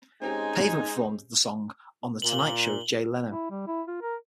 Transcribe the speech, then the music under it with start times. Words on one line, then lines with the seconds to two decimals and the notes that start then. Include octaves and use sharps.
Pavement performed the song on "The Tonight Show with Jay Leno".
0.22 G#3 C4 C#4 D#4 G4 G#5
2.22 A#2 F#7 G7
3.29 E4
3.50 G3
3.67 E4
3.88 F4
4.02 A#4